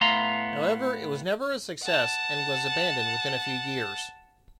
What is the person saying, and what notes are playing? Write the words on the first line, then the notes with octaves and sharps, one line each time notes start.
However, it was never a success, and was abandoned within a few years.
A2 A3 B3 F5 A#5 C6
F#5 A5